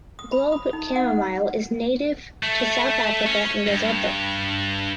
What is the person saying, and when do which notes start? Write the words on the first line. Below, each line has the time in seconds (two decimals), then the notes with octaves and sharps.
Globe chamomile is native to South Africa and Lesotho.
0.19 D#6
0.32 B5
0.52 D#6
0.73 D#4
0.96 F#5
2.43 A3
3.27 C#4
3.67 G2